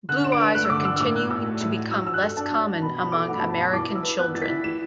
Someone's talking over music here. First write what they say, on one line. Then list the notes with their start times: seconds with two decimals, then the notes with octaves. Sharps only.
Blue eyes are continuing to become less common among American children.
0.09 D3 F#6
0.25 D4 E7
0.32 D7
0.40 B4
0.55 A3 F#6
0.65 E6
0.70 D3 D6
0.85 D4 E6
0.96 E6
1.00 A2 D6
1.15 F#4 F#6
1.30 A2 E6
1.46 A3
1.61 A2
1.76 F#4
1.91 F#3 E6
2.07 F#4 E6
2.14 F#6
2.22 A4
2.37 D4 A5
2.52 F#3
2.67 F#4
2.82 B2 B5
2.97 F#4 B5
3.12 A4 D6
3.28 A3 F#5
3.34 B5
3.40 A5
3.42 B2
3.50 B5
3.58 F#4 A5
3.73 E3 D6
3.88 E4
3.95 E6
4.03 B4
4.19 B3 F#6
4.34 E3 A6
4.42 B6
4.49 E4
4.64 E3 E7